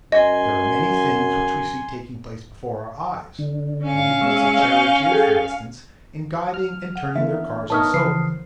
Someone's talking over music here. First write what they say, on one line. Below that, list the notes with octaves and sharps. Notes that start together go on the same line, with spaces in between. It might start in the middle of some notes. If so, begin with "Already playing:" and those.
There are many things which we see taking place before our eyes--the movements of charioteers, for instance, in guiding and turning their cars, and so on.
F#2 D#5 G#5 C6
D3
C#4 F5
G#3 C#5 E5
G6
G#4 A4 G5
F6
F#5
E3 A#3 B3 D4 E5
B3 D#4 A#4 C#5 E5 A5 D#6 F6
C#3 E3 F3 B4 C5 C7